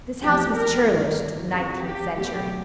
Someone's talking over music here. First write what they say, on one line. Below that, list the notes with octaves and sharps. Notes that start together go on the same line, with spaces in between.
This house was churlish to the nineteenth century.
E2 C3 F3 A3 G4
A#4
G2 D#3 G3
F2 C#3 F3 F#4
G4
B2 F#3 A3 G4